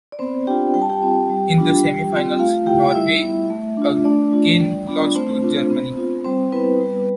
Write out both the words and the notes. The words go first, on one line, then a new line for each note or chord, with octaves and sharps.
In the semi-finals, Norway again lost to Germany.
D5
B3 C4 C5
D4 F4 G4 G5
G3 G5
A5
G4 G5
C4 F4
G3
B3 D4 F4
G3
C4 F4
A3 F4 F5
E4 G4 G5
G3 E4 E5
B3 E4
A3
D4 F4
A3 D4 D5
D4 F4
G3
B3 D4 F4
A3 C4 C5
D4 F4
B3
F4
G3 C4 C5
B3 C4 E4 B4
G3